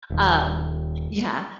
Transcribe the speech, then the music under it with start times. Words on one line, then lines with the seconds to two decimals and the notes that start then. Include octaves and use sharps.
Um, yeah.
0.10 D#1 D#2